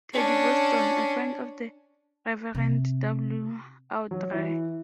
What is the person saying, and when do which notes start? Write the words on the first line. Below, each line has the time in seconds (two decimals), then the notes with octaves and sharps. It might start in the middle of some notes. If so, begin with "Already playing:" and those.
Teddy Boston, a friend of the Reverend W Awdry.
0.13 C#4 D4
2.55 C3
4.11 F#3
4.33 E3